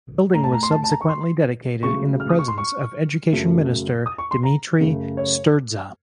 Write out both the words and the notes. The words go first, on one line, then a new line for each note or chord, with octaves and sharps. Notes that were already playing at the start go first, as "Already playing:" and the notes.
The building was subsequently dedicated in the presence of Education Minister Dimitrie Sturdza.
A2 A3 A#5
A5
A#5
C6
A5
A5
A#5
C#6
C6
C#2 C#3 F#3 A3 C#6
F6
D#6
C#6
C6
C#6
F#2 C#3 F#3 A3
D#6
C#6
C6
A#5
F#2 C#3 A3
C#5